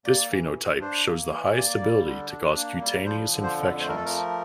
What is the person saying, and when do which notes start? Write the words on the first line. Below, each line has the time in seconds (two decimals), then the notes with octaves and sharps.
This phenotype shows the highest ability to cause cutaneous infections.
0.05 A#3 D5
0.30 E3
0.55 G2
0.81 D4 C5
1.05 A#3
1.30 E3
1.56 A#3 D5
1.81 G3
2.05 D3
2.30 D4
2.56 A#3
2.81 G3
3.05 F3 C5
3.32 D3
3.43 C5
3.57 F2
3.80 A3 C5
3.89 A#4
3.96 A4
4.05 F3 A#4